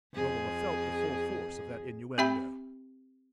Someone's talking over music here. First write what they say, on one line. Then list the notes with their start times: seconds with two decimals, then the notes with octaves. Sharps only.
Romola felt the full force of that innuendo.
0.13 F2 G#4
2.18 C4 G4 E5 G5 B5